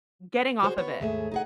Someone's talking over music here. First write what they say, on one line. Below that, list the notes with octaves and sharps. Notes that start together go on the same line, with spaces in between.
Getting off of it.
F#4 G#4 C5 C#5
B3 C#5
D#2 G#2 A3 G#4 E5
D#4 G#4 F#5